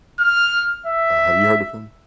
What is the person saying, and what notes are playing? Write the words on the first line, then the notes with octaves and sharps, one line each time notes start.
Uh, have you heard of him?
F6
E5